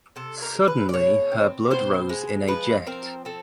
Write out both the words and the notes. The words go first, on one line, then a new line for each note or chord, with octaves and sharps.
Suddenly her blood rose in a jet.
C3 A4
A#4
G#3
B4
D5
B2 C#5
C4
B2 C5
G#3
F3 B4
C4 A#4
C4 A4